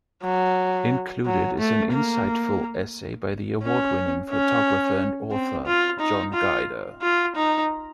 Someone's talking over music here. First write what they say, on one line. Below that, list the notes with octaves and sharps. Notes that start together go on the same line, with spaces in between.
Included is an insightful essay by the award winning photographer and author, John Guider.
F#3
F#3
A3
A#3
C#4
C#4
C4
F4
D#4
F4
F4
D#4